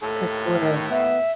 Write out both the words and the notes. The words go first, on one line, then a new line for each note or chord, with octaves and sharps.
For sure.
D#2 A2 A4
D#3
B3 E5